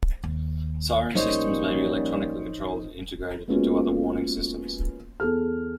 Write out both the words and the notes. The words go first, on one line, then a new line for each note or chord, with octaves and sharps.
Siren systems may be electronically controlled and integrated into other warning systems.
D#2
A1 F3 G3 A#3 C#4 D#4 C5 C#5
G#3 A#3 B3 C#4 F4 F#4
E2 G#4 A4 F6